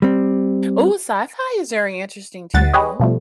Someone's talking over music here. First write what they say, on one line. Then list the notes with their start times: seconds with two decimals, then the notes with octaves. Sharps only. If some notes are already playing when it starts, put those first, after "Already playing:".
Ooh, sci-fi is very interesting, too.
0.02 G3 C4
2.54 D2 G3 F#5 A6
2.73 G4 G#4 B4 C#5 D#5
3.00 B2 F3 G3 A3